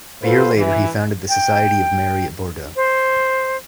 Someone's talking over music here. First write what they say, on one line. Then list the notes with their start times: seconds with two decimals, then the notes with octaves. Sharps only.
A year later, he founded the Society of Mary at Bordeaux.
0.23 F4 F#4 A4 B4 C5
0.57 E3
1.29 G5
2.76 C5